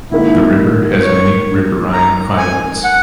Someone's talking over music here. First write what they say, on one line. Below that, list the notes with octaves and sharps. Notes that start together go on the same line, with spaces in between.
The river has many riverine islands.
G#2 D#3 A#3 D#4 E4
C#5
A#5
G#5
F#5